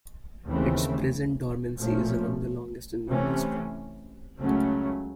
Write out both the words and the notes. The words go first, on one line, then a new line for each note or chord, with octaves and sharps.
Its present dormancy is among the longest in known history.
D#2 C#3 E3 A3 C4
A#2 F3 A3 C#4
C3 E3 A3 C#4
C#2 C#3 F#3 A3 C#4